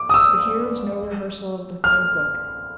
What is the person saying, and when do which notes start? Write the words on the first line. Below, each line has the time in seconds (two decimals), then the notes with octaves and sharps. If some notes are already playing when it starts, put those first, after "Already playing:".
But here is no rehersal of the third book.
Already playing: D6
0.09 D#6
0.14 E6
1.84 F6